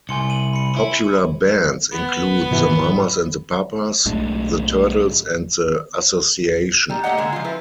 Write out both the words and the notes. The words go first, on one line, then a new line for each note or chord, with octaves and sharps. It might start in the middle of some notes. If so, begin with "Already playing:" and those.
Popular bands include the Mamas and the Papas, the Turtles, and the Association.
C2 G#5 C6 C#7
D#7 F#7
B5 C#7
E4
B3
G#2 B2 E3
B1 A2 G#3 D4
G3 D#4
A3 A#3 G4 D#5 F#5
D3 G#3 A#3
F3 F4
E4 B4